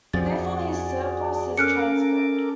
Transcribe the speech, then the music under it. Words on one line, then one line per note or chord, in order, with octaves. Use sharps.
Therefore his surplus is transferred.
F2 F3 F#4 G#4 D5 A6
C#4 A4 A#4 D6 F6 F#6 C#7